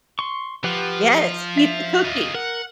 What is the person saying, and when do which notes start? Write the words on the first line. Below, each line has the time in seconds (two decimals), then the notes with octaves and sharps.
Yes, eat the cookie.
0.19 C6 C#6
0.64 F3 G4 B4 F#5
1.57 E5
2.04 F4 D#5
2.35 A#4 F#5